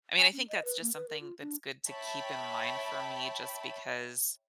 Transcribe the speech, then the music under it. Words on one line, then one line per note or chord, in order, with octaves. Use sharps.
I mean, I think that's just something that's good to keep in mind for me just because
G#5
C#4
D#5
B4
A#3
B4
A#4
F4
D4
C#5 E5 G5 A5 B5